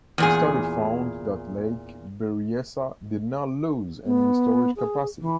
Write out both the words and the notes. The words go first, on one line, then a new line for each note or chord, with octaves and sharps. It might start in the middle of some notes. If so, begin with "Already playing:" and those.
The study found that Lake Berryessa did not lose any storage capacity.
E2 A#2 G#4
B3
G#4
E3